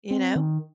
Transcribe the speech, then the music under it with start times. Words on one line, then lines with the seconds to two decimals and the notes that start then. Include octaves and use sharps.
you know.
0.11 C4
0.35 D#3